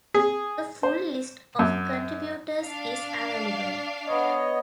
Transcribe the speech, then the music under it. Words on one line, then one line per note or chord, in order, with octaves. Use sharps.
A full list of contributors is available.
G#4
C5
F#2
D4 F5
B3 C#5 D#5